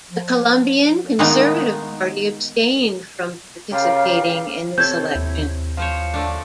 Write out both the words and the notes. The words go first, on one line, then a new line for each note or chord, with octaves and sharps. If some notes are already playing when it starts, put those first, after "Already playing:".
The Colombian Conservative Party abstained from participating in this election.
F3
D#3 G#3 A#3 B3 D#4
C#3 G4 A#4 F5 G5
C3 C4 G4 A4 C5 C#5 G6 G#6
D#2 E4
F3 C5 C#5 F5
D3 A3 D4